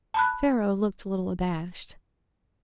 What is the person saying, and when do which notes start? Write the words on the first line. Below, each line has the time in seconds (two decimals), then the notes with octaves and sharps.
Pharaoh looked a little abashed.
0.14 A5 B5 F#6